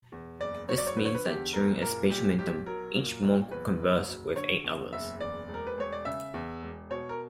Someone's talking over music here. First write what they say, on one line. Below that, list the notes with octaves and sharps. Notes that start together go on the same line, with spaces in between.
This means that during a "Spatiamentum" each monk will converse with eight others.
E2
F#1 D5
F#3 C#5
D5
C#5
D3 B4
C#5
B4
E2 G4
F#1 A#4
A#2 A#4
B1 G4
B1 G4
F#3 A#4
A#2
B1
E2 B4
F#1
F#3
D3 C#5
E2
F#1 E5
E2 D5
E1
A#4
B4
E1 C#5
D5
C#3 E5
E2
E1
B2 C#5
A#4